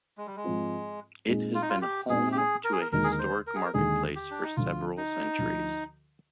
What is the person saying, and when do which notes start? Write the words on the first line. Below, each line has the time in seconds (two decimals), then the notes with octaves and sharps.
It has been home to a historic market place for several centuries.
0.17 G#3
0.27 G3
0.36 G#3
0.44 G#2 F3 C4 F4
1.27 A#2 G#3 C4 D#4
1.55 F4
1.62 D#4
1.69 F4
1.82 G4
2.09 A#2 G#3 C4 D#4 G#4
2.32 G4
2.37 G#4
2.64 A#4
2.72 G#4
2.81 A#4
2.92 D#2 D3 G#3 D#4 A#4
3.04 G#4
3.12 A#4
3.19 C5
3.47 A#4
3.56 G#4
3.65 A#4
3.74 D#2 D3 G#3 D#4 G#4
4.15 G4
4.31 D4
4.43 D#4
4.56 D2 D3 F3 F4
4.97 D#4
5.39 D2 D3 F3